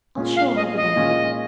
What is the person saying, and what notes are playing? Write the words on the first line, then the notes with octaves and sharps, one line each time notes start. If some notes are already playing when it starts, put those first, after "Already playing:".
"I'll show her the bag."
A#2 G#3 C#4 F4
F5
D#5
D#5
A#2 G#3 C#4 F4